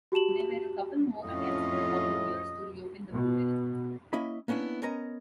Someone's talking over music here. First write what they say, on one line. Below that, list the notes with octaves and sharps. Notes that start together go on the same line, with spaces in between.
There were a couple more attempts in the following years to reopen the brewery.
F#4 G4 A5 E7 F#7
F2 A2 C#4 F4 D#5
B2
A#3 C#4 E4 D#5 B5
A#3 B3 C#4 D4 E4
B3 C#4 A#4 D#5 A#5